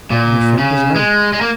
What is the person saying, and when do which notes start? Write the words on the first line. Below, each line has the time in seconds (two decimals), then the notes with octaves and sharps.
The friend is right.
0.11 A#2
0.58 C#3
0.96 G#3
1.33 G#3
1.41 A#3